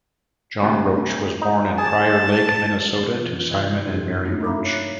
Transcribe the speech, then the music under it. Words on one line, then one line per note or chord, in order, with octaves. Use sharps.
John Roach was born in Prior Lake, Minnesota, to Simon and Mary Roach.
D2 C3
D#4
G#4 A5
E3 F4
G2 C3 G3 D#5 F#6 G#6
C4 D4 E4 G4 A4
F#3 A3 A#3 C4 D4 D#4
E5 F5 A#5 B5 D6 D#6
C#5 F#6